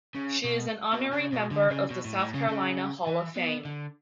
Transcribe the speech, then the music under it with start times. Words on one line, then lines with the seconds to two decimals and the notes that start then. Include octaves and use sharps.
She is an honorary member of the South Carolina Hall of Fame.
0.15 C#3
0.44 B2
0.93 B2
1.13 C#3
1.32 B2
1.51 D3
1.70 C#3
1.90 B2
2.05 A2
2.19 A2
2.34 C#3
2.48 C#3
3.07 E3
3.36 B3
3.65 D3